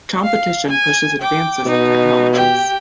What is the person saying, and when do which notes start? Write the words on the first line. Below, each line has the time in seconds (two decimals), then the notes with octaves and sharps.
Competition pushes advances in technologies.
0.24 F5
0.69 G#5
1.22 G5 D6
1.66 B2 D#4
2.34 G4 G5